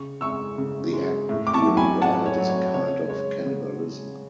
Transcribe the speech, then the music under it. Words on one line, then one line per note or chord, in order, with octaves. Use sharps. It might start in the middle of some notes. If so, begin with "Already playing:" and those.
The act would be regarded as a kind of cannibalism.
Already playing: C#3 C#6
G#3 C#6 E6
C#3
G#3
A2
D6
A5 C#6
F#3 A3
G#5 B5
A2 F#5 A5
C#5
F#3 A3
C#5
C#3 C#5
G#3 C#5
C#3